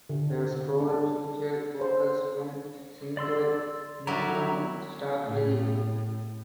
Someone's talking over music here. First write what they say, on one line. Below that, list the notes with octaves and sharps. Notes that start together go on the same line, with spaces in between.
The score featured vocals from singer Miriam Stockley.
D3
D4
C5
D5 C6 E6
F#3 G3 E4 A#5
A2